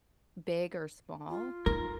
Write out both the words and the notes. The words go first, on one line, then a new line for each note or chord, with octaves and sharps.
big or small?
F4
D#4 A#4